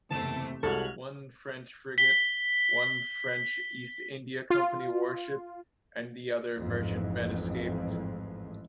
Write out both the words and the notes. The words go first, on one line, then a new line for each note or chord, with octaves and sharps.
One French frigate, one French East India Company warship and the other merchantmen escaped.
F#1 E2 C3 A3 A5 E7
C2 G#3 F#4 A4 F6 F#6 G#6
B6 G7
F4
A1 F2 G#2 E3